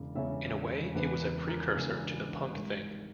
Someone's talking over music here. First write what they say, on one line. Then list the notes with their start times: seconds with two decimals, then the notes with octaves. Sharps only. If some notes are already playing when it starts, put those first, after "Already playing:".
In a way it was a precursor to the punk thing.
Already playing: E1 E2 C#3 E3
0.15 E1 E2 C#3 E3 C#5 E5
0.95 E1 E2 C#3 E3 B4
1.21 A#4
1.48 A#4
1.75 E1 E2 C#3 E3 A#4
2.54 G#1 G#2 G3 A#4